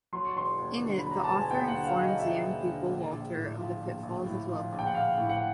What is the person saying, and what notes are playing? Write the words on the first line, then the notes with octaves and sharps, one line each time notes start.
In it, the author informs a young pupil, Walter, of the pitfalls of love.
F#3 C6
C#6
E1 C6
D#2
D3
B5
F#3
A#5
E1 A5
G#5
D#2 G5
F#5
D3
F5
F#3
D#5
E1 E5
D#2
D3
A#1
A#1
A2
F3
A#1
A#1
A2
F3
A#1
G5
F#5
A#1 F5
A2
F#5